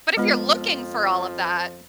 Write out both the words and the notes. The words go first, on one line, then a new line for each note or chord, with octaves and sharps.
But if you're looking for all of that,
F2 F3 G#3 B3 F4 B4